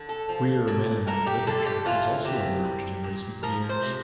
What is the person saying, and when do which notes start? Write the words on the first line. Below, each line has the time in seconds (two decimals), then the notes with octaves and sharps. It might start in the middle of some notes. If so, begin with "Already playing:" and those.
Queer Mennonite literature has also emerged in recent years.
Already playing: D3
0.09 A4
0.29 F3
0.68 A#2
1.07 A3 A#4
1.27 G4
1.47 D3 A4
1.66 G4
1.85 E3 F4
2.25 C3 G4
2.64 G3
3.04 A#2
3.43 F3 A#4
3.69 C5
3.83 C3